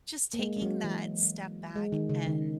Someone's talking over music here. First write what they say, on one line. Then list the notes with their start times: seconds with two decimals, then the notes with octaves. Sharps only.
just taking that step back and
0.34 A#3
0.39 G#3
0.57 G#3
0.62 F#3
0.84 E3
1.76 G#3
1.92 D#3
2.09 C#3
2.26 D#3